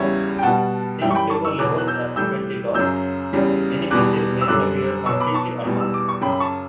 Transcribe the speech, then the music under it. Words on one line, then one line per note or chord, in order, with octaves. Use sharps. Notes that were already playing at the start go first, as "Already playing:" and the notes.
Since paper labels are frequently lost, many pieces may appear completely unmarked.
Already playing: E2 C#3 G3 C#5 E5
G5
B2 G3 F#5 A5
F#2 E3 G3 E5 G5
C#6
G5 B5
A5 C#6
C#6 E6
E2 B2 F#3 D6 F#6
F#6
E6 G6
A2 E3 G3 E6 G6
F#2 C#3 F#3 E6 G6
E2 C#3 G3
E2 B2 G3 D6 F#6
E6
F#2 D3 G3 D6 F#6
B2 F#3 C#6 E6
B5 D6
A5 C#6
E2 B2 G3
E6
D6
C#6
F#2 C#3 F#3 G5 B5
B5
A5 C#6